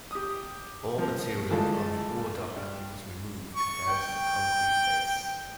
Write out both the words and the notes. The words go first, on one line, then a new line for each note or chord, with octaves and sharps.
All material on the ore dock was removed down to the concrete base.
G4 D#6
F3 A#3
D3 E3 G#3 A3 F4 A4
G2
C#6
G5